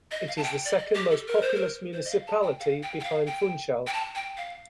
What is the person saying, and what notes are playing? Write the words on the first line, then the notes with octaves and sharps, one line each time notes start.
It is the second most populous municipality, behind Funchal.
D#5
F5
A5
G5
D5
D#5
G4
A4
A#4
C5
A#4
C5
D#5
F5
A5
G5
F5
G5
G5
F5
G5
G5
A5
G5
F5